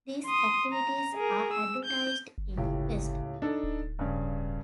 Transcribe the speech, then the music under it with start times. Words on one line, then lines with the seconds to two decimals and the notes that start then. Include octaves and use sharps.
These activities are advertised in "Quest".
0.26 C6 D#6
0.73 A#5
1.14 G#4 A#4
1.53 E6
1.85 G6
2.38 G1
2.57 C#2 A2 G4
3.42 D4 D#4 A4
3.64 D1
3.99 G2 C#3